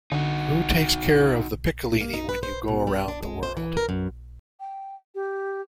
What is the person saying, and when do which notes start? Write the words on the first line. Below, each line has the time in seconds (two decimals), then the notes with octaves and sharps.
Who takes care of the piccolini when you go around the world?
0.12 D3 D#4 F#4
2.01 A#3
2.14 D#4
2.29 B4
2.43 C5
2.68 B2
2.87 G3
3.08 D4
3.23 G#3
3.43 C5
3.57 E3
3.77 A#4
3.89 F#2
4.60 G5
5.14 G4